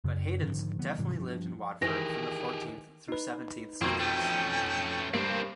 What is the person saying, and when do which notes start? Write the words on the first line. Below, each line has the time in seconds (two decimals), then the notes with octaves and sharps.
But Heydons definitely lived in Watford from the fourteenth through seventeenth centuries.
0.04 F#2 C#3
0.41 G#2 D3 D#3 F3
0.79 C#3 E3 G3 B3
0.98 G#2 C3 E3 G3
1.20 G2 F3
1.82 D#3 E3 G4 G#4 A#6
3.08 D#4 B4
3.81 F2 B2 A#3 C4 C#6
3.99 A3 C#4 G5
5.13 G2 A#3 C4 D4 C7